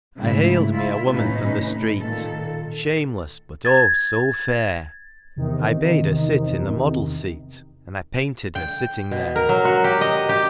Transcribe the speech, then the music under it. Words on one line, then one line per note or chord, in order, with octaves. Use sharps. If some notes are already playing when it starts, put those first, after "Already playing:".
I haled me a woman from the street, Shameless, but, oh, so fair! I bade her sit in the model's seat, And I painted her sitting there.
G#2 C#3 A3 E4
E4 F4 E5
D#2 A2 C3 C#4 D#4 B4
A#2 D#3 A4
G#6 A6
E2 C3 D#3 D#4
G5
B2
A#4
F#3
F#4
G4
D#5
G4